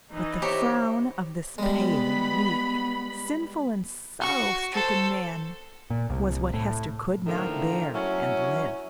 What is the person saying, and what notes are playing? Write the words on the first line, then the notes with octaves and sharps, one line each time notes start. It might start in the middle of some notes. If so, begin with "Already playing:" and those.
But the frown of this pale, weak, sinful, and sorrow-stricken man was what Hester could not bear, and live!
E3 D#4 E4
G4 C5 C#5 E5 A#5
G3 G#3 B3 B5
F#4 C#6
A4 C5
A#2
C2
A2
A2 D3 D#3 F3 A3 A#3
F#3 C#4 E4